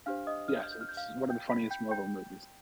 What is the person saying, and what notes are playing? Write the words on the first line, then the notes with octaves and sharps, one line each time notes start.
Yes, it's one of the funniest Marvel movies.
D4 G4 C5 F5 F6
D#5 D#6
F6
G6
F6
G6
F6
G6
F5 F6
G5 G6
B5 B6
G5 G6
G5 G6